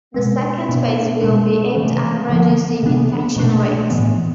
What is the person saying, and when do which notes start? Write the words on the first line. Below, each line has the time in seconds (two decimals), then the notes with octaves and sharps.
The second phase will be aimed at reducing infection rates.
0.14 B2 G#3 C4
0.69 B2 B3 D4
1.21 B2 G#3 D4
1.76 C3 E3 A3
2.29 D3 F3 B3
2.83 C3 E3 B3 D4
3.36 B2 A3 D4
3.90 A2 E3 B3